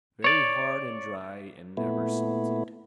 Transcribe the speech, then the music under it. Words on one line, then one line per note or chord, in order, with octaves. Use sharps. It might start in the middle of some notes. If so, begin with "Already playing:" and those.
Very hard and dry and never salted.
C#5 D5
A#2 A3 B3 E4